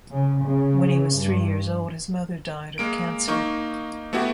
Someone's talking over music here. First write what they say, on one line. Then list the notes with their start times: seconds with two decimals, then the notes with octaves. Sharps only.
When he was three years old, his mother died of cancer.
0.12 C#3
0.43 C#3
1.16 G2
2.78 G#3 A#3 D7
3.28 A#3 D#4 C#6
4.13 A3 B3 E4 F#4 G4